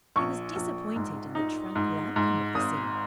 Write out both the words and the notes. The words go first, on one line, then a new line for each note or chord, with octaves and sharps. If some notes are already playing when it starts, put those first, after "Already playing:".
He was disappointed in the tranquil outcome of the scene.
A#1 C#6
A#1
G#2
D#4
G#2
G#2
G#1 D#6